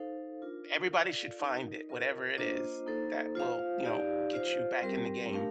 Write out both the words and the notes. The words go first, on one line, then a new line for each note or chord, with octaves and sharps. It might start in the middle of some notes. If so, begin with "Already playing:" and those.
everybody should find it, whatever it is, that will, you know, get you back in the game,
Already playing: D#4 A4 C5 F5
D4 F4 A#4
F4 A4 D5 F5
D#4 A#4 D#5
F4 A#4 D#5
A#3 D4 F4 C5 D#5
A#3 D#4 A4 C5
F4 C5 F5
D#4 G4 D5 F5
F4 C5 F5
G3 C4 G4 A#4
A3 D4 G4 A#4 F5